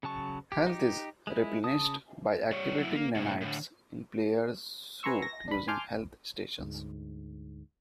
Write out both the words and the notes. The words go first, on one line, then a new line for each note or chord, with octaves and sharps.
Health is replenished by activating nanites in player's suit using health stations.
C#3 F#3 A5 C#6
G4
D#4 G4
G#3 E4
C#3 A5 D#6
G3 C#5
F#3 E4
A#3
A2 C3
A2 D3
B4 G#5 A#5 C6 C#6 E6
A#6
D4 B5
G#5 A5 C6 D6 F6 G6
D2 G#2